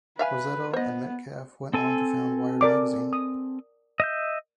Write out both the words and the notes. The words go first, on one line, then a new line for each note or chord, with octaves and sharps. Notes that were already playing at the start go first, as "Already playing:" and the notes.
Rossetto and Metcalfe went on to found "Wired" magazine.
B4 E5 F5 G#5
B3 C5 D#5
C4 A4 G#5
A#4 D5 D6
D#6
D#5 E5 G6